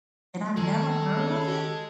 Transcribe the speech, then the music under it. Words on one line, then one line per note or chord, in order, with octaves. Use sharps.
And I've never heard of it?
D#3 G#3 A4 A5
C#3